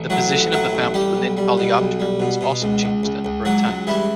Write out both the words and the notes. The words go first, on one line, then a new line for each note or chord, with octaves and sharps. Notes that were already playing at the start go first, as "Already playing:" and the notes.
The position of the family within Coleoptera has also changed a number of times.
Already playing: A1
A2 F#3 F#4
A1
A2 F#3 F#4
A1
G3 G4
B1
G3
B2
B1
G3
B2
B2
C#2
C#2
C#2
C#2
C#2 F#3 F#4
C#2
E3 G3 E4